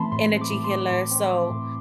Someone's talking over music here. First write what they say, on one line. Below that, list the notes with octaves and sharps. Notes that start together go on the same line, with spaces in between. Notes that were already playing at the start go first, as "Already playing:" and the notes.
energy healer, so
Already playing: E3 A3 C4 A5 B5 C6
A2 C6
C4
D6
A2
C6
A2 D6
A2
C4
C4
A2